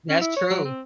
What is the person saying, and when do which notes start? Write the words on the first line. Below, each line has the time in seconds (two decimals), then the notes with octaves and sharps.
That's true.
0.10 C#4
0.21 E4
0.37 C#5
0.51 F#3
0.65 C4